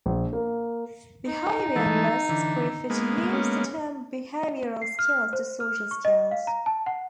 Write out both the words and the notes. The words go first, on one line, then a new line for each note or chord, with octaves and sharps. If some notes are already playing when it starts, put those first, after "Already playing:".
Behavior analysts prefer to use the term behavioral skills to social skills.
A#1
A#3
D#4
E3 G#3 A4
D3 E3
G#3 A#3 B3
C#4
C7
F6
C5
F6
C#6
D#5
F5
A#5
A5
F#5